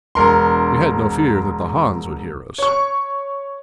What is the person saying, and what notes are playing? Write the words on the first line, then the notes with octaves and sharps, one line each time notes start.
We had no fear that the Hans would hear us.
E1 A#4 C6
C#5 C#6